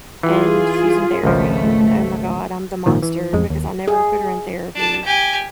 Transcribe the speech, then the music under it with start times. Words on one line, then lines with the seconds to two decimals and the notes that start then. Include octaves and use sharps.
and she's in therapy, and, oh my god, I'm the monster because I never put her in therapy.
0.23 E3 F4 G#4
1.23 G#1 C#2 F3 A3
2.86 G#1 A#2 D#3 F3
3.03 E3
3.33 A1 F2 G#3
3.50 D#2
3.88 G#4
4.75 D4 A5
5.04 G4 G#5